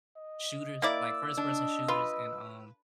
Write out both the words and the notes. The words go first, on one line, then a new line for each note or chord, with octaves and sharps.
shooters like, first-person shooters and, um
D#5
A#3 E4 D5 E6
D4 D#5
F4 B4